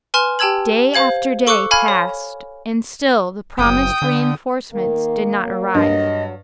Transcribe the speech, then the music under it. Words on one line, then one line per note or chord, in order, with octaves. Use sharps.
Day after day passed and still the promised re-enforcements did not arrive.
B4 G#5 C6 F6 E7
G4 G5 A5 E6 G#6 F#7
C5 F5 G#6 F#7
A4 C#6 D6 E6 F#6 C#7
F5 G#5 B5 F6 G#6
C#5
F#1 G5 D#6
D3
D#3 A#3
F#3
G2 D#5